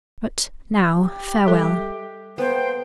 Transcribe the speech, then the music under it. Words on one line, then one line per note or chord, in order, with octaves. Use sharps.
But now, farewell.
G4
G3 A4 E5
A#3 B3 A4 C5 G5